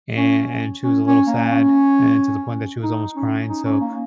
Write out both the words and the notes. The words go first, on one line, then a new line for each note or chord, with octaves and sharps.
an and she was a little sad and to the point that she was almost crying. So,
C#4
C#4
C#4
A#3
C#4
D#4
C#4
D#4
C#4
A#3